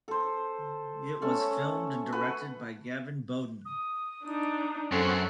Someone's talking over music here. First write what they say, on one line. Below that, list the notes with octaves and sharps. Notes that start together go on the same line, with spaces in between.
It was filmed and directed by Gavin Bowden.
A4 C5
A3 C#4 A4
F#4 A4 B4
D#6
D4 D#4
F#2 C4 C#4 A4 F#5 F#6